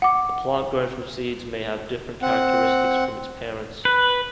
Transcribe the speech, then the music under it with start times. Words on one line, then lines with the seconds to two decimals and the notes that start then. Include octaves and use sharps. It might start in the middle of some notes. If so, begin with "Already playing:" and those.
A plant grown from seeds may have different characteristics from its parents.
0.02 F#5 D6
2.22 C4 F#5
3.85 B4